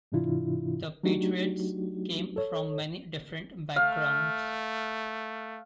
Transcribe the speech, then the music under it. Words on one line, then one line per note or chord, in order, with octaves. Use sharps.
The Patriots came from many different backgrounds.
G#2 C3 E3 D4 E4 F4
F#3 A3 D4 D#4 F#4 G4
A4 C#5
A3 F5